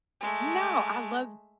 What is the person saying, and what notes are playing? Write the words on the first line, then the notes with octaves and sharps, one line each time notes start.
No, I love
G#3 A3